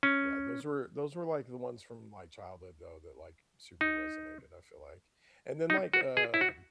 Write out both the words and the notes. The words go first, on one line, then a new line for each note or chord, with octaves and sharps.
yeah, those were those were like the ones from my childhood though, that like super resonated, I feel like. And then like um
C#4
D#4
D#4
F#4
G#4
E4
F#4